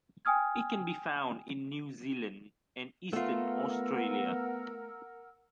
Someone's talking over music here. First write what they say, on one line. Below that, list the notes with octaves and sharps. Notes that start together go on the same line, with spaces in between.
It can be found in New Zealand and eastern Australia.
G5 G#5 D#6 F6 G#6
A3 B3 F4 A#4 F#5 E6